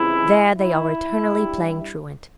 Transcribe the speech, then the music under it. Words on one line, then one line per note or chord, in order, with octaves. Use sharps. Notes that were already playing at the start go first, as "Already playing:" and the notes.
There they are eternally playing truant.
Already playing: C#2 C3 E3 G#3 E4
E4
G2 G3